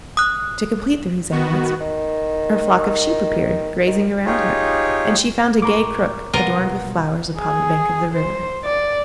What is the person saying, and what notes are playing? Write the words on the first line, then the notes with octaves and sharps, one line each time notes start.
To complete the resemblance, her flock of sheep appeared, grazing round her, and she found a gay crook adorned with flowers upon the bank of the river.
D#6 F#6
D#3 B3 F#4
D#3
D#3
D#4 F4 G4 G#4 C#5
A2 A#4 A#5 B5 C#6 D6
C2 B2 G3 F4 A#4 B4 D#5 F#5
G#4
C5
D5